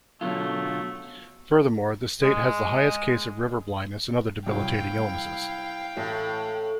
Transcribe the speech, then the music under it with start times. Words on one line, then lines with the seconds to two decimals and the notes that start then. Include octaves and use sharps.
Furthermore, the state has the highest case of river blindness and other debilitating illnesses.
0.21 B2 D3 F#3 A3 F4
2.23 G#3
4.46 C2 F#3 E4 F5 G5
5.97 A1 A2